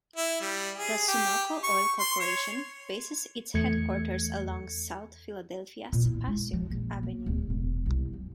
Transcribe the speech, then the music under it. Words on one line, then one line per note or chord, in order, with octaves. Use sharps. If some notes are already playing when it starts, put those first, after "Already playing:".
The Sunoco oil corporation bases its headquarters along South Philadelphia's Passyunk Avenue.
E4
G3
G#4
G4
C#6
C6
C#5
E2 A3 G#6 C#7
A#2
E4
G#3
F3
A#1
A#3
D1
E1
C2
F#2